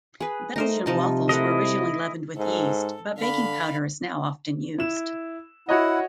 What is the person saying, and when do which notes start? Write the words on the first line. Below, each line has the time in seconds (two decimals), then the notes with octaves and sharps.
Belgian waffles were originally leavened with yeast, but baking powder is now often used.
0.20 G#4 B4
0.56 A3 D#4 A#4 C5
0.86 C3 F3 D#4 A5
1.29 A3 E4 A#4 D#5 F#5
2.37 G#2 A4
3.18 D3 F5 B5
4.78 E4 E7
5.69 E4 F#4 C#5 D#5 F#5